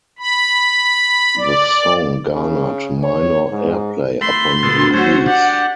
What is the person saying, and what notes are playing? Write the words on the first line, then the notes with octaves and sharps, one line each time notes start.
The song garnered minor airplay upon release.
B5
D5
C#3
C#5
G#2
A3 B5 C6
A#2 B3 A4
F#3 A3 C#4 F#4 C5
D4 G4 F#5